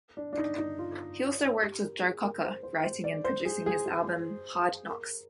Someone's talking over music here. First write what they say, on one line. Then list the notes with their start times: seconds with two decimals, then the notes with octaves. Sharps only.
He also worked with Joe Cocker, writing and producing his album, "Hard Knocks".
0.17 D4
0.33 D4
0.38 D#4
0.58 D#4
0.79 F4
1.61 G4
1.82 A#4
2.02 G#4
2.23 A#4
2.43 C5
2.63 C5
2.84 C5
3.04 D5
3.24 C5
3.45 G#4
3.66 G#4
3.86 G#4
4.89 A#4